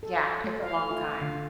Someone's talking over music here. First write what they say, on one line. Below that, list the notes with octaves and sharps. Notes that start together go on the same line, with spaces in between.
Yeah, it's a long time.
A4
A3
F5
F4
D3